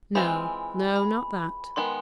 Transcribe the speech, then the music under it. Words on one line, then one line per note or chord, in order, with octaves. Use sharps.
No, no: not that.
E3 G#3 C4 F4 B5
B5
D#3 G#3 B3 C6